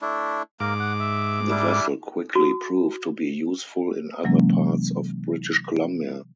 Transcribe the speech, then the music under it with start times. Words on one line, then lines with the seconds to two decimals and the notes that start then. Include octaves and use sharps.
The vessel quickly proved to be useful in other parts of British Columbia.
0.01 A3 D4 E4
0.60 G#2 A#3 A#4 D6
0.80 F#5
1.00 E5
1.50 G3 D4 E4
2.35 F#4
4.24 C3 E3 F#3 G#3 A#3 C#4